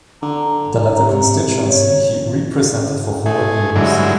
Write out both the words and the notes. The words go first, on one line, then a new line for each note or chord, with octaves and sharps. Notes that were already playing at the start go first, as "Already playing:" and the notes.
The latter constituency he represented for four years.
D3 A#5
C3
C#5
D#1
A3 G#4
G2 D3 F#3 G#3 E4